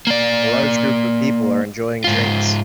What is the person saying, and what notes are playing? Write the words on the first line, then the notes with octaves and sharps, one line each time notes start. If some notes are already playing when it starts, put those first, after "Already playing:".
A large group of people are enjoying drinks.
A#3 D5
G#2 F4